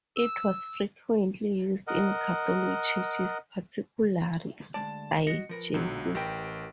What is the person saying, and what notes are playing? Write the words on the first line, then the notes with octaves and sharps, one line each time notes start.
It was frequently used in Catholic churches, particularly by Jesuits.
E6
A#4 D#5 F#5
D2 G#3 D5 A5
F#4 D#5 C#7
F3 A#4 B4
B1 A#2 D3 F#3 G#3
A1 G4 A#4 B4 G5 D7